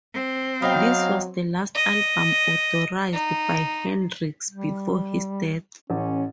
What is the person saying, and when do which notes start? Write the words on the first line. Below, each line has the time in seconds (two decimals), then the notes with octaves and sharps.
This was the last album authorized by Hendrix before his death.
0.14 C4
0.62 F#3 B3 D#4 F5 G5
1.75 D#5
3.13 D#4
4.50 G3
5.90 A1 C#4